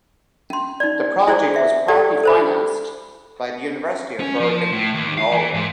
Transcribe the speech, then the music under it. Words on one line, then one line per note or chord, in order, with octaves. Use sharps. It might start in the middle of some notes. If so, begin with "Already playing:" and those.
The project was partly financed by the University of Bergen, Norway.
C#4 C6
D#4 D5
E4 G#4 C5 D5
E5
G4 A4 D5 G5 D6
A4 C5 B5
C#4
F3
A2
D#2
F5
E3
G#2